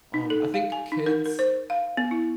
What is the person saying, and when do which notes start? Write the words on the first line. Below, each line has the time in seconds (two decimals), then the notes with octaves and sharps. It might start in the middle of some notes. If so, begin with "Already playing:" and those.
um I think kids
0.14 D#4
0.30 A4
0.54 F5
0.72 G#5
0.92 D#4
1.06 A#4
1.26 A#4
1.39 C5
1.70 F5
1.97 B3
2.11 E4